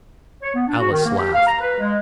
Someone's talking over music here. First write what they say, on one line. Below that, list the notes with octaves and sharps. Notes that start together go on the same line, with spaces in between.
Alice laughed.
C#5
B3
D4
F#4
D#3
A#3
G4
F5
A#5
B4
G#3